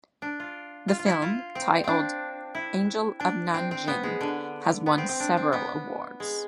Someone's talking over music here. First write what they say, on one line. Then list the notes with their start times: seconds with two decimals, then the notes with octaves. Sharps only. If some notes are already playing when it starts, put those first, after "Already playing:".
The film, titled "Angel of Nanjing", has won several awards.
0.22 D4
0.40 F4
0.88 F4
0.99 F4
1.06 E4
1.22 F4
1.55 C4
1.84 C4 D4
2.55 E4
3.20 D4
3.54 C4
3.71 C4
3.88 B3
4.03 G#3
4.21 D3
4.86 B3
4.98 C4
5.09 C4
5.20 D4
5.37 C4
5.53 B3
6.20 G#3